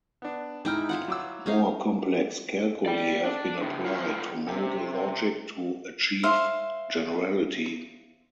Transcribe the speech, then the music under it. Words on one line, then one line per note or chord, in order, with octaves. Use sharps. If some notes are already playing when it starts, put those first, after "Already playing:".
More complex calculi have been applied to modal logic to achieve generality.
B3 D4
G#2 D#4 E4 G5 F6
E4 F4 F#5
F#3 D6 E6
C#4 D#4 F5
D5 G5
D4
A2 C#3
D3 F4
C3
C5 E5 F5